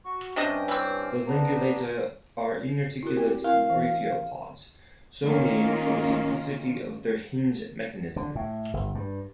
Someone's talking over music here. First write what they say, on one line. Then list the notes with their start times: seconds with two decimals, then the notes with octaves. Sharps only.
The Lingulata are inarticulate brachiopods, so named for the simplicity of their hinge mechanism.
0.05 F#4 C#6
0.36 G2 C3 C#4 D4 G4 D#5
0.68 E3 C4
1.27 B3 D4 A#5
3.03 E4 F#4 A#4
3.17 C4 G4
3.44 C4 E4 A#4 F5
3.70 E3
5.25 D#3 A#3 C#4 F4
8.16 D3
8.35 A2
8.73 G1
8.95 G2